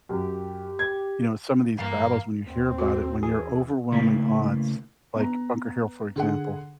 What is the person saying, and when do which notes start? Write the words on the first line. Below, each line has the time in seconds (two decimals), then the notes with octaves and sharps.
you know, some of these battles when you hear about it, when you're overwhelming odds like Bunker Hill, for example,
0.09 F#2 G4
0.79 G#6
1.77 G2 E3 A#3 F5
2.46 D#2 C4
2.78 F#4
3.23 E3 G#4
3.92 C#3 A3 A#3 E4
5.16 B3 A#5
6.16 D3 G#4 F#5